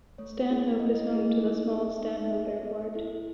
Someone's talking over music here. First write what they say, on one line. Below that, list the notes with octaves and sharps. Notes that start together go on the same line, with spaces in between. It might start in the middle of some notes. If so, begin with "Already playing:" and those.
Stanhope is home to the small Stanhope Airport.
A3 C#5
E4 G#4
A3 D#5
E4 G#4
D#4
G#4
D#4 E5
G#4
B3
E4 A4